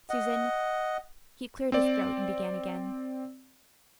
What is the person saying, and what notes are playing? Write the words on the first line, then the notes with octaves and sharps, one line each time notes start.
"Susan." He cleared his throat and began again.
D#5 F#5
C4 D5